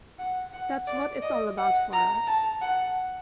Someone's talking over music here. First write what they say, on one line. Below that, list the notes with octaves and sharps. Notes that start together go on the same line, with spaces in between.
That's what it's all about for us.
F#5
F#5
D5
D#5
F#5
A#5
A5
F#5